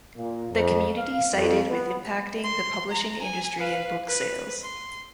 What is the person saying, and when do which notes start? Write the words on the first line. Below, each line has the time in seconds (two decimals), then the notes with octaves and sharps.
The community cited with impacting the publishing industry and book sales.
0.17 A#2
0.53 F2
0.97 F5
1.36 F2
1.69 B3
2.44 C6
2.91 A#5
3.22 G#5
3.59 B4 F5
4.07 B4
4.62 C6